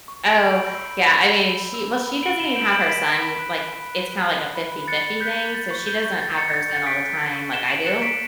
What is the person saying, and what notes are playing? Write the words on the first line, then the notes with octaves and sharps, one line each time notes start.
Oh, yeah. I mean, she Well, she doesn't even have her son like, it's kinda like a fifty-fifty thing, so she doesn't have her son all the time like I do.
C#6
B5 D7 F#7
G6
B5
E6
B5
B5
B5
B5
B5
E6
B5
B5
B5 D7 F#7
B5 E7 G7
E7
G6 D7 F#7
B5 D7 F#7
B5 B6 D7
B5
B5
F#6
F#6
B5
F#6
F#6
F#6
F#6
B5
B5
F#6 A6 C#7
B5
F#6 G6 B6
F#6
G6 A6
C#6
G6
C#6
G6 A6
C#6 A6 C#7
G6 A6
G6 A6 C#7
F#6 B6 D7
F#6
C#6
C#6
F#6 E7 G7
C#6 D7 F#7
F#6 C#7 E7
C#6 B6 D7